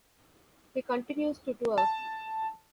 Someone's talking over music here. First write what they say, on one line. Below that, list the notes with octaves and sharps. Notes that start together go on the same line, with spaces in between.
He continues to tour.
A5